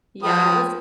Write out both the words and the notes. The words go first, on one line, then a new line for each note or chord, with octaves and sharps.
Yeah, it was
F3 B4 G5 D#6